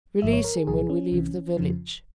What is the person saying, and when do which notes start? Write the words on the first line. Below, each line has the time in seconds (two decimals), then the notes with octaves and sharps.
"Release him when we leave the village."
0.22 G#1 G#2 F3 E5
0.33 C#5
0.44 A#4
0.56 G#4
0.67 C2 A#2 F3 G#4
0.90 C#4
1.12 C2 C3 E3
1.57 F2 C#3 F3